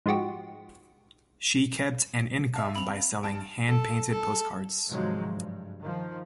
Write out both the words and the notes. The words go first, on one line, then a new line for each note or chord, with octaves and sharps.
She kept an income by selling hand-painted postcards.
G#2 F3 G#3 F#4 G4
E5 F5 A5
C4 B5 F7
G2 A5 D7
A4
A4
G#2 C3 D#3 F3 F#3 G#3
G2
D#3 F3